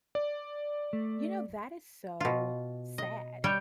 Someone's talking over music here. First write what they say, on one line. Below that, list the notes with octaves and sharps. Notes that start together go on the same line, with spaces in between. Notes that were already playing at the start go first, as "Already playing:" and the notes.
You know, that is so sad,
D5
A3
B2 F4
D#5
G3 C#5 G5